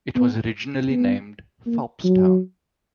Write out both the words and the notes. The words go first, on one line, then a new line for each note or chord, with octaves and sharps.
It was originally named Phelpstown.
B3
B3
A#3
F#3